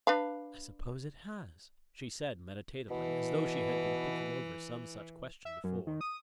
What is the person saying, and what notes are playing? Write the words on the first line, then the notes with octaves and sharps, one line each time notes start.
"I suppose it has," she said, meditatively, as though she had been thinking over some such question before.
D4 B4 F5
B2 E3
E5
F#2
D#3
D#6